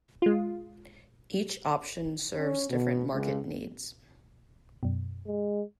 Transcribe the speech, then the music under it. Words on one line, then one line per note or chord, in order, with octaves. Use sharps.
Each option serves different market needs.
G#3 F4
C#4
B2
C#2
F#2 B2
G#3